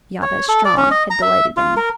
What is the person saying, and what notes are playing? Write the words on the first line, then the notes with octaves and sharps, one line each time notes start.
Jabez Strong, had delighted in.
C#5
A4
D5
C#4
D#5
A#5
E5
F4
A#4